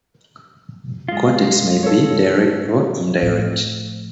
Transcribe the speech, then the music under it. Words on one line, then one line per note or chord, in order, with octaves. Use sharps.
Contexts may be "direct" or "indirect".
G#3 F4
A4 C#5
A2 F3